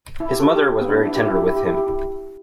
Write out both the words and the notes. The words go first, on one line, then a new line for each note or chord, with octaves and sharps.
His mother was very tender with him.
E4
G4
A4
G4
B3
D4
E4
G4
E4
G4
E4
G4
E4
G4
E4